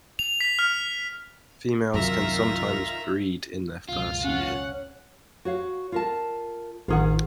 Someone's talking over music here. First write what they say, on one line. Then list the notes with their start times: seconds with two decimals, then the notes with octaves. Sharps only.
Females can sometimes breed in their first year.
0.19 F7
0.41 B6
0.59 F6
1.94 C2 F#2 D#3 F4 E5 A#5
3.89 C#2 F#2 B2 F4
4.24 C#4 F#5
5.45 F#4 C#5 F5
5.92 F4 A#4 A5
6.88 A1 D#3 F4 G#4 F#5